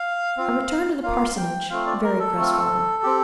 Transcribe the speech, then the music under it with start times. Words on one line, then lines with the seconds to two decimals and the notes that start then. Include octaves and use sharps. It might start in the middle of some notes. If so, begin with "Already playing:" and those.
I returned to the parsonage, very crestfallen.
Already playing: F5
0.37 C4 F4
1.03 A#3 F4 F5
1.37 G5
1.70 A3 C4 F4 F5
1.87 D5
2.04 A#4
2.19 A4
2.37 A3 C4 F4
3.03 C4 G4